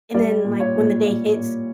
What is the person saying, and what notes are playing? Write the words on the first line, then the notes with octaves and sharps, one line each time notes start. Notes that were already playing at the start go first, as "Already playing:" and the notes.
and then, like, when the day hits
G3 D5
A#2
C#5
A#2
A#2 D5
A#2